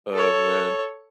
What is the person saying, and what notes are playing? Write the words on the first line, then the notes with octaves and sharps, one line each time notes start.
Oh, man.
A4 C#5